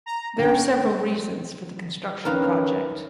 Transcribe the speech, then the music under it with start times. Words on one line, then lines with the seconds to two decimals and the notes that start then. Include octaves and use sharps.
There are several reasons for the construction project.
0.06 A#5
0.39 D3 C#4 G5
2.25 D#3 C#4 A#4 B4 F5